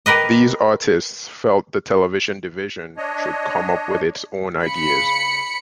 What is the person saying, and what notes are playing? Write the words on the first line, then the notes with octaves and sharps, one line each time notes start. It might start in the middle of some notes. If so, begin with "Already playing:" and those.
These artists felt the television division should come up with its own ideas.
G4 A#4 B4 D#5
D4 C#5 D#5
C#3 B5 C#7